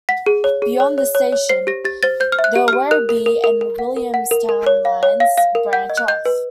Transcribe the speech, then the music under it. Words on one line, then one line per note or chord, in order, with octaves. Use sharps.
Beyond the station, the Werribee and Williamstown lines branch off.
F#5 B6
G#4
C#5
G#4
C#5
C#5
C#5
C#5
C5 C7
G4 A#6
G4 A6
C5 A6
C5 G6
F6
E5
F#6
G4
G4 F6
A#4 F#6
A#4
A#4
A#4
A#4
F#5
A#4
F#5
A#4
A#4
C#5
F5
C#5
F5
F5
A#4
F#5 G6
D#5
F#6
D#5 G6
B4